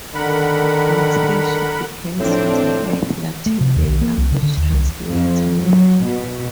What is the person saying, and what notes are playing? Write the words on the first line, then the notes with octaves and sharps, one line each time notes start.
Next year she became certified Latvian language translator.
D3 D#3 A#4 F#5 B5
A2 F3 C4 D4
A3
C3
D#2
B1
A#3
C2
C#3
D3
D#2
C2
F2
F#3
B2